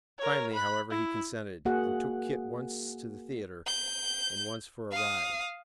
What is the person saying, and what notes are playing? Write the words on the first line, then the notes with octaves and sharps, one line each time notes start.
Finally, however, he consented, and took Kit once to the theatre and once for a ride.
A#4 C#5
B5 F#6
E4
A#3 F#4 G#4 F#5
G6
F5 D#6